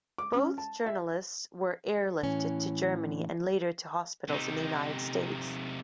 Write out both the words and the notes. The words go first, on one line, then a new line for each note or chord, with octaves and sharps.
Both journalists were airlifted to Germany and later to hospitals in the United States.
D6
C#4
A5
E5
A2 E3 C#4
C3 D#4